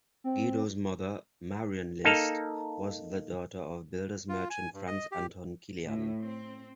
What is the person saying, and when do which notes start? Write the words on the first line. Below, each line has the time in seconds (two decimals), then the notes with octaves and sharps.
Guido's mother, Marian List, was the daughter of builder's merchant Franz Anton Killian.
0.24 C4
2.04 A#3 D#4 A4 F5
4.29 F4
4.50 G#5
4.74 G2
4.87 D#5
5.12 G4
5.85 A2
6.23 C4